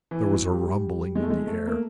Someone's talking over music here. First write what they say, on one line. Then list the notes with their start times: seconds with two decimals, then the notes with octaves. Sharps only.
There was a rumbling in the air.
0.11 E3
0.31 F#3
0.52 G3
1.16 G#3
1.22 A3
1.30 G#3
1.47 A3
1.67 A#3